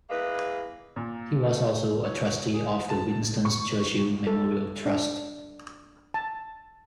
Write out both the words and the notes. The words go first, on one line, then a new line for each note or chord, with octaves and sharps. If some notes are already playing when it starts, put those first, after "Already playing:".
He was also a trustee of the Winston Churchill Memorial Trust.
E2 G#3 A#3 B4
A#2
A3
C#5
G#4
A5
C#6
A4
D4
A5